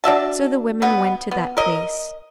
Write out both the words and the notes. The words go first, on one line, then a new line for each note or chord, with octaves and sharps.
So the women went to that place.
D4 F#4 E5 A5
B2 B3
B3
A#4 D#5